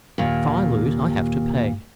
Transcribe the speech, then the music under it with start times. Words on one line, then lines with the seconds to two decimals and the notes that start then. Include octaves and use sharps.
If I lose I have to pay.
0.18 D#2 A#2